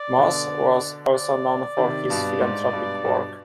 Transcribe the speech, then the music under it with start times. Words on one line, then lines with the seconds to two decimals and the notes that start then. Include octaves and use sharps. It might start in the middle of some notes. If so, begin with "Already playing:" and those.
Mosse was also known for his philanthropic work.
Already playing: D5
0.18 B2 D3
1.14 D5
1.77 C3 D#3
2.10 G2 B2
2.41 G#2
2.73 G2 B2
3.04 G2 B2